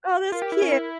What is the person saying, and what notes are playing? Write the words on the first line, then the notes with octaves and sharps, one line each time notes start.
Oh, that's cute.
F4 A#4
G4
E4
C#4
E4